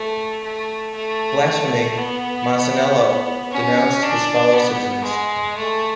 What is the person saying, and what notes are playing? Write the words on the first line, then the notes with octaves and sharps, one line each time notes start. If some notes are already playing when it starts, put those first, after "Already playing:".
Blaspheming, Masaniello denounced his fellow-citizens.
Already playing: A3
A3
A3
B3
C#4
D4
B3
G#3
A3